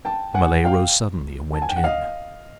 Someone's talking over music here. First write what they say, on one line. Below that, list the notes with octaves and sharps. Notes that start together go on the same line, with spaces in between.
The Malay rose suddenly and went in.
G5 A5
F#5 G#5
F5 G5
A5
G#5
G5
F#5
D#5 F5